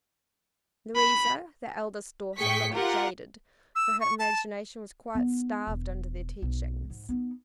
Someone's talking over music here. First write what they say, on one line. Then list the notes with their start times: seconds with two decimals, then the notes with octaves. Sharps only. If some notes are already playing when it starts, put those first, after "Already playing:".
Louisa, the eldest daughter, looked jaded, for her imagination was quite starved under their teachings.
0.96 B5
2.37 A2 G#4 G5 C#6 B6 C#7
2.72 F4 G4 A#4 F#5
3.75 E6
4.01 C#6
4.19 A5
5.15 B3 D#4
5.67 E1
6.42 B1
6.90 G#2
7.09 B3 D#4